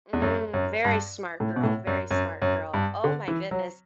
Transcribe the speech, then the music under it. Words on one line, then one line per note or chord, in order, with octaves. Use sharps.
Mm, very smart girl, very smart girl, oh my goodness.
E2
F#2
F#2
G2
A2
B2
A2
F#2
F#2
F#2
G2
D3
E3
F#3